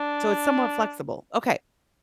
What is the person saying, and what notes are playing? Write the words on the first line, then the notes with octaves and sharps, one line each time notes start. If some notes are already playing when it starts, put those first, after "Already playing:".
so it's somewhat flexible. Okay.
Already playing: D4